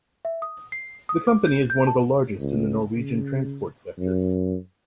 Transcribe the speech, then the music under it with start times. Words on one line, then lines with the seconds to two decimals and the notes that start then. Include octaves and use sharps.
The company is one of the largest in the Norwegian transport sector.
0.25 E5
0.42 D#6
0.72 C7
1.09 D#6
1.27 D6
1.46 G6
1.70 G6
1.87 A5
2.40 C#2
2.94 C#3
3.99 F#2